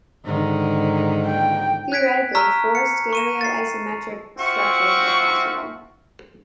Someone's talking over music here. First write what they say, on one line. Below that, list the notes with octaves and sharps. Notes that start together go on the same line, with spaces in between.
Theoretically, four stereoisomeric structures are possible.
G#2 D3 D#3
G5
F#6 G#6 B6 D7
A5 A#5 C#6 E6 F6 B6
C#7
C#6 D#7 E7
A6 C7
C4 F4 F#4 E5 C#6